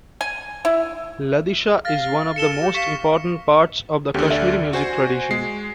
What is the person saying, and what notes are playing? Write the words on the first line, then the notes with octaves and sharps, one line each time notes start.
Ladishah is one of the most important parts of the Kashmiri music tradition.
G#5
E4
F5 F6 A6 A#6
A4 C#7 E7 G7
G4
F5 C#6 B6 E7
D2 D3 G4 C#5 G5
D5 E5
F#4 C5 G#5
G#3 C7